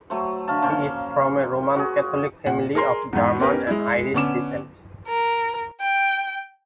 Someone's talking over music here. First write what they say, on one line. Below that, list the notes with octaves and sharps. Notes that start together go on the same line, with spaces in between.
He is from a Roman Catholic family of German and Irish descent.
F#3 A3 C5
D3 F5 A5
A#3 C#4 C5
F#4 G#4
A#2 F#5
G#4 A#4 A#5 C6 C7
E2 G#2
B3 C#4 G4 A#4 B4
G#3 E4
D3 B3 C#4 D6 E7
A#4
G5